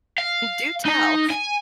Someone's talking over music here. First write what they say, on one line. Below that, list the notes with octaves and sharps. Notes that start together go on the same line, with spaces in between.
Do tell.
F5
D#4
G#5